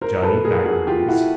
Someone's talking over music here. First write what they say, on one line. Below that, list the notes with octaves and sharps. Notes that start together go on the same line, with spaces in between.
Johnny Magories.
A#4 C5
A4 B4
G#4 A#4
F#4 G#4
F4 G4
E4 F#4